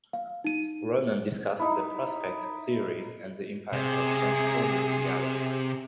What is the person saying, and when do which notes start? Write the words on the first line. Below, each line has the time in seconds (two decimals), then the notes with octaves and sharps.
Ronen discussed the Prospect theory and the impact of transforming realities.
0.13 F5
0.44 D#4 D#7
1.59 D#4 E4
3.73 C3 G#4